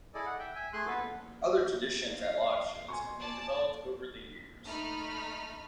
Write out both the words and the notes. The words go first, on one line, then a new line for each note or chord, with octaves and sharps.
Other traditions at live shows have been developed over the years.
E4 G#4 A4 D5 D#5
F#5
E5 G5
E5 G#5
A3 G#4 G#5 C6 F#6
B3 A4 B4
F5
G#5 C6 C#6
D5 A5
A3 D#4 B5 F6